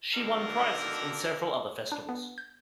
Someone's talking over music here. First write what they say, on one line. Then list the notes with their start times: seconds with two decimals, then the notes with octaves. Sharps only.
She won prizes in several other festivals.
0.15 B2 D3 D#3 A#3 A4 A#4
1.92 D4
2.09 B3
2.38 G6